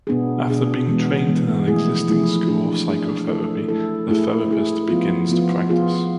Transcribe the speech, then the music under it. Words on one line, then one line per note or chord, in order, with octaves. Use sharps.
After being trained in an existing school of psychotherapy, the therapist begins to practice.
B2 B3 D4 G#4
B2 B3 D4 G#4
E3 G#3 B3
E3 G#3 B3
F3 A3 E4 G#4
F3 A3 E4 G#4
A3 D4 G#4
A3 D4 G#4
A3 E4 A4
A3 E4 A4
A3 E4 G#4
A3 E4 G#4
F3 B3 F4
F3 B3 F4
F3 B3 F4 G#4